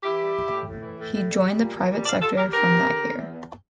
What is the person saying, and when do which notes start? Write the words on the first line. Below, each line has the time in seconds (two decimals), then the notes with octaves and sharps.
He joined the private sector from that year.
0.03 E3 E4 G4
0.20 G3
0.34 G3
0.50 A2
0.66 A2
0.82 E3
0.97 A2
1.13 A2
1.28 G3
1.44 G3
1.60 A#2
1.75 A#2
1.90 G3
2.06 G3 D5 F5
2.21 G3 F4 A4
2.37 G3 G4 A#4
2.53 D3 G4 A#4
2.69 E2
2.84 D3
3.00 D3
3.15 E2
3.30 E2